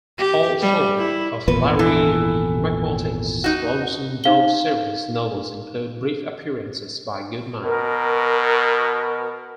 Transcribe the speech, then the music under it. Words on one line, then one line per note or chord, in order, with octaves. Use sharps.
All four of Larry McMurtry's Lonesome Dove series novels include brief appearances by Goodnight.
G4
G3
E4
G#1 E2 A#2 B4
E3 A4
D#4 F#4
D#4 F5 G7
B2 A#4